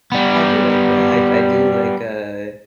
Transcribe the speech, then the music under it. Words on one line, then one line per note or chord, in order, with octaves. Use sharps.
I do like that, I I do like, uh,
G3 B3